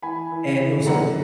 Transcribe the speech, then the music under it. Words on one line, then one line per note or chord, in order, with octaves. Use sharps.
and it was so,
E3 G#5 B5
E3
E3
F#2 F#5 A#5